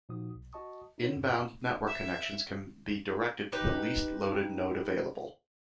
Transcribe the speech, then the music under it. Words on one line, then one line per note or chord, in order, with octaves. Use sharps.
Inbound network connections can be directed to the least loaded node available.
A#2 F3 D#4 F#4 D#6
B1
F#4 D#5 A5 C#6 D#6
D#4 F4 F#4 B4 C#5
F2 G#2
E5
D#4 G4 B4